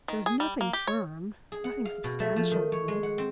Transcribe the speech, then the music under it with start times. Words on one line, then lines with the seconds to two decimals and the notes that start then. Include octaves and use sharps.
There was nothing firm, nothing substantial in it.
0.08 D#3
0.26 G#4
0.40 G3
0.61 A#3
0.73 G4
0.87 C#5
1.52 G#4
1.64 F#5
1.85 F5
2.04 B2
2.20 A3
2.36 F3
2.51 D#3
2.72 C#5
2.88 G#3
3.03 F#5
3.18 C4